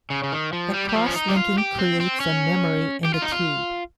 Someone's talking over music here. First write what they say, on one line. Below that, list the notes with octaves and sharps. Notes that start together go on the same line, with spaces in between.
The cross-linking creates a memory in the tube.
C#3
C#3
D#3
F3
G3
G3
F3
C#4
D#4
G4
F4
G4
C4
C4
C#4
G4
F4
D#4
F4